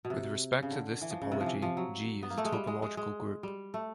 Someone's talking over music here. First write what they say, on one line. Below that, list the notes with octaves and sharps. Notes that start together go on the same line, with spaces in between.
With respect to this topology, "G" is a topological group.
B2
C3
C#3
D3
E3
F3
C#3
C3
F3
E3
F3
F#3
B3
A#3
A3
G#3
G3
G#3
G#3
G#3
G3
A3